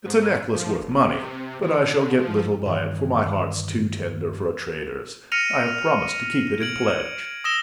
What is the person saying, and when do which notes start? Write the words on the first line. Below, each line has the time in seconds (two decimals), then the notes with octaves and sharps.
"It's a necklace worth money, but I shall get little by it, for my heart's too tender for a trader's; I have promised to keep it in pledge."
0.06 G#2
0.55 F3
0.80 F1
1.09 C3
1.62 E3
1.78 D3
2.18 F3
2.66 G2 D#3 E3
5.32 F6 A#6 C#7 D#7 F7
6.60 G#6 D7 F#7
7.44 D#6 E6 A#6 E7 G7